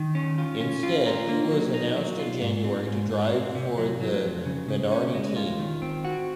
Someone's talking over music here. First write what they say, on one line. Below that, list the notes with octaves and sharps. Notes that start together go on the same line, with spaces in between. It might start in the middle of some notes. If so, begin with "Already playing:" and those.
Instead, he was announced in January to drive for the Minardi team.
Already playing: D#3
C#4
F4
C#4
F4
A#4
A#3
F#3
D#4
F#3
F4
G#2
C4
G#2
G#2
C4
C3
F#3
F#3
F2
C#3
C#3
C#4
G#3
F4
D#3
C4
F#4